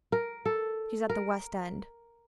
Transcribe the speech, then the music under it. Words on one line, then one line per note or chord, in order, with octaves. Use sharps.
She's at the West End.
A#4
A4
A#4